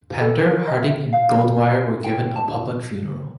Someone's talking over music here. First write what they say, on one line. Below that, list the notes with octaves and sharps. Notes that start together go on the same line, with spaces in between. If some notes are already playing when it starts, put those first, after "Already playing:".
Panter, Harding and Goldwyer were given a public funeral.
A4
A#4
D#5
E5
F5
G5
A5